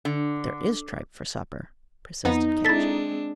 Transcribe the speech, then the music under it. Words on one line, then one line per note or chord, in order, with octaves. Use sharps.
"There is tripe for supper," persisted Ketch.
D3
F2 B3 D#4
G#3 C4 D4 E4 A4 A6 B6